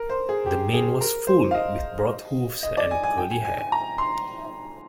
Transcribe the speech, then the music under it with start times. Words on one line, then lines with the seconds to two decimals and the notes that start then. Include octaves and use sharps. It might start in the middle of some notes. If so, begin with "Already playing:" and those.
The mane was full, with broad hooves and curly hair.
Already playing: A#4
0.10 C5
0.29 G#4
0.46 G4
0.74 G#4
1.01 A#4
1.27 C5
1.51 F5
1.54 D#5
2.63 D#5
2.77 D5
2.91 G#5
3.03 G#5
3.18 G5
3.31 G#5
3.45 G#5
3.58 G#5
3.72 A#5
3.98 C6